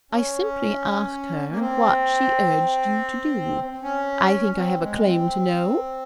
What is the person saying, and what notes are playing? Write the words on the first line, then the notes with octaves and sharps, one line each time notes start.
'I simply asked her what she urged you to do--I think I have a claim to know.
C#4
A#3
C4
C#4
C4
G#3
C4